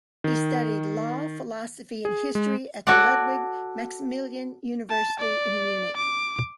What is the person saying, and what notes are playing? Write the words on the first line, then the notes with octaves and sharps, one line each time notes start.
He studied law, philosophy and history at the Ludwig-Maximilian University in Munich.
D#3
G#4
G#3
F#4 A4 C#5 D5 F#5
A5
D5
D6